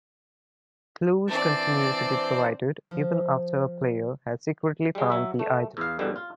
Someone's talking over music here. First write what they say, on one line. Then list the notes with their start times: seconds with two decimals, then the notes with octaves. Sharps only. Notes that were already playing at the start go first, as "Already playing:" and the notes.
Clues continue to be provided even after a player has secretly found the idol.
1.28 E3 C4 D4 C5 D5 A6
2.91 F3
4.95 G3 G#3
5.10 F#3 E5
5.39 A3
5.77 E2 F5
5.99 E2 G2 B2 D3 G3
6.16 F4